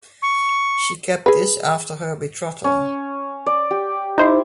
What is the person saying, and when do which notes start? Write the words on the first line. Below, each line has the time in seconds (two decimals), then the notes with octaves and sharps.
She kept this after her betrothal.
0.22 C#6
1.26 G#4 B4
2.64 C#4
3.46 D5
3.71 G4
4.18 D#4 E4 C5